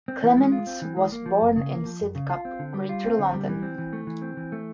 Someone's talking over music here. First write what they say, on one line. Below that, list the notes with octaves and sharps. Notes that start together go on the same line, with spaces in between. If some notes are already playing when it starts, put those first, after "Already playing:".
Clements was born in Sidcup, Greater London.
C4
E3
G#3
F4
C4
E3
G#3
A#3
F3
F#2
C#3
A#3
F3
F#2
C#3
F4
C4
D3
G3
F4
C4
D3
G3
E3
C4
E3
A3
E3
C4
E3
A3